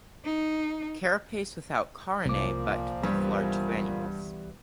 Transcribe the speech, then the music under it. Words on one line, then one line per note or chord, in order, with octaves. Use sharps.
Carapace without carinae but with large granules.
D#4
C2 A#2 F3 D6
G2 E3 G3 B3